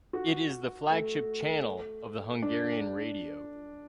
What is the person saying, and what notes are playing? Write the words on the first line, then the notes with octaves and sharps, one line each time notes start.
It is the flagship channel of the Hungarian Radio.
F#4
A3
D4